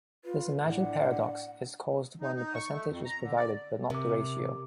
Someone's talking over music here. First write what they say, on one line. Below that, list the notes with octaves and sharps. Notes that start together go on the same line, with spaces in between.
This imagined paradox is caused when the percentage is provided but not the ratio.
F4 B4
A2 D4 D5 F#5
D#4
D#4
C#6
A3
F2
A#5
D3
D5
C3 A#4 D6